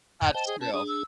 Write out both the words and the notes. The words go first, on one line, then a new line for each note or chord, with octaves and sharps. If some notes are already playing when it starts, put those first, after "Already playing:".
That's true.
F2 G#2 D3
C5 D#5 G5 A5
G#4
C#4 B4 A5
D4 G#4 D#6
E6